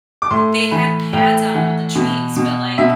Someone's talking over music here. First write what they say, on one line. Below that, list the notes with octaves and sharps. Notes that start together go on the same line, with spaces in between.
They had pads on all the trees, but like,
D6
A2 C6
E3 B5
A2 G5
E3 F#5
B2
B2
B2 E5